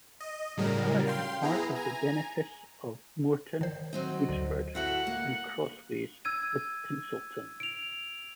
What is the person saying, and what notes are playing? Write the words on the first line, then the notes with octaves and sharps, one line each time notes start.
The parish is part of the Benefice of Moreton, Woodsford and Crossways with Tincleton.
D#5
A2 C#3 F#3 G3 A#4
F5 G5 C6
B3 E4 G#4 A#5
G#5 A#5
D#3 C5
F#3 C4 D#4
D2 D3
E4 F#4 A4 F#5
A#3
E6 G#6 D#7
D7 F7